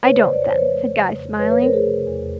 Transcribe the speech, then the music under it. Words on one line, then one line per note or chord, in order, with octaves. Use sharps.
'I don't, then,' said Guy, smiling.
C#3 B4 C#5
C5 D5
F2
D5
C#5
F3 C5
B4 C#5
A3
C#3
F2
F3 B4 C#5
B4 C#5
A3 A#4 C5
G#4 A#4
C3
E2